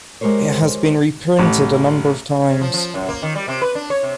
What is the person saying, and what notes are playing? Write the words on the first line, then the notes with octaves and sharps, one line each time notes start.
It has been reprinted a number of times.
G#3 G4 A#4 C5 C#5
A1
C#3
F3
F3
F#2
A#3
D#3
G3
C3
B4
D4
C#5
C3